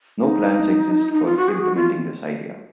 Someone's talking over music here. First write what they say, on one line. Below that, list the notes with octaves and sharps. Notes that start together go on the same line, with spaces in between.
No plans exist for implementing this idea.
D#4
D#4
F4
F#4
G#4
F#4
F4